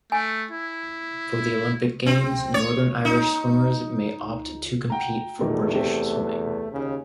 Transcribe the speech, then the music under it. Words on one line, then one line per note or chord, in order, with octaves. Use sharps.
For the Olympic Games, Northern Irish swimmers may opt to compete for British Swimming.
A3 G#5
E4
C4
C#5
D#4
F#5 G5 A#5
E2 A#2 D#3 G3 A3
C3 G4 C5
D#2 C#3